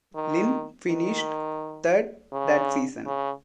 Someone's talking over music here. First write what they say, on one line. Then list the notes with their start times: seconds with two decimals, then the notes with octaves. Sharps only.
Lyn finished third that season.
0.15 D#3
0.88 D#3
2.32 C#3
3.05 C#3